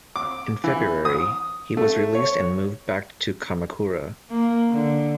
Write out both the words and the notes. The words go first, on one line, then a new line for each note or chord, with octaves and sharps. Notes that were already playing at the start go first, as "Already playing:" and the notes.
In February, he was released and moved back to Kamakura.
D6
E3
D#6
A3
C#5
A#3
D3